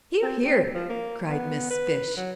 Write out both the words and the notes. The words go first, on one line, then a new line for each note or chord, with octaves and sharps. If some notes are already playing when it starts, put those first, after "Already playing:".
"Hear! hear!" cried Miss Fish.
C4
C4
F3
A#3
B3
B4
F#3